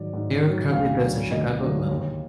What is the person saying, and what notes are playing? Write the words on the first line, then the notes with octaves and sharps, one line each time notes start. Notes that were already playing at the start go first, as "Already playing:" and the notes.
Thayer currently lives in Chicago, Illinois.
Already playing: G#2 D#3 F#3 D5
G#2
D#3 F#3
D2 F5
D3 F#3
D2 D#5
D3 F#3
D#2